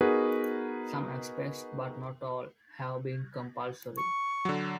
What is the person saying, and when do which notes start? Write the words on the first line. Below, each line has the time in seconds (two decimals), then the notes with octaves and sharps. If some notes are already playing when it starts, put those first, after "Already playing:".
Some aspects, but not all, have been compulsory.
0.01 B3 D#4 F#4 G#4 A#4 B4
3.97 C#6
4.45 D3 F#3